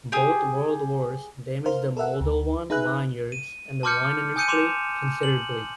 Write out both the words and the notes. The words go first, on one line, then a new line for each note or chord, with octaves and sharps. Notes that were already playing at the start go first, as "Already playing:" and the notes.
Both World Wars damaged the Moldolvan vineyards and the wine industry considerably.
G4 G#4
A#4 C5 F5
A4 A#4 E5 F#5
D2
D#4 G#4 B4 E5 F#6
D#7
A5 C6 D6 F6 G6 C#7
G#5 D#6 G6 C#7 D#7
C6 D6 E7 F7
F#7